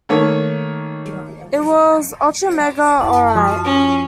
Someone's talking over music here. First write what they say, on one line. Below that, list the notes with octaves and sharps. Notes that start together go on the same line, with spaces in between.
It was "Ultramega Alright".
D#3 A3 A#3 C#5
F#2 E4 A5
F3 F#4 C#6
C#4